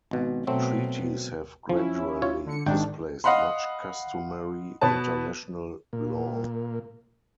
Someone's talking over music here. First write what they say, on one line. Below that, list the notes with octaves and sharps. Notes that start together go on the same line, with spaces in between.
Treaties have gradually displaced much customary international law.
G#1 B2
B2 F#3 A3 C4
F3 C#4 E4
F4 C#5
D3 C#7
G#1 G#2 D#3 D4 G5
D#5 F5 F#5 B5 C6
B2 B3 B4 A5
A#2